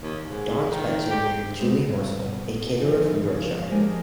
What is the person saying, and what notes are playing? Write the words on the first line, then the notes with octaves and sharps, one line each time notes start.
Don Spencer married Julie Horsfall, a caterer from Yorkshire.
D#2
G#2
D#3
G4
G#3 A3 B3 C4
G2
B2
E3 F3
C#3 F3
F3 G#3 A#3 D4 D#4 G4